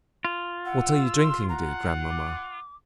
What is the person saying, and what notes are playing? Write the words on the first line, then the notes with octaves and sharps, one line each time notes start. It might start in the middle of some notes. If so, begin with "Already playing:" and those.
"What are you drinking, dear grandmamma?"
F4
F#5 E6
C6
F#5 A#5
D6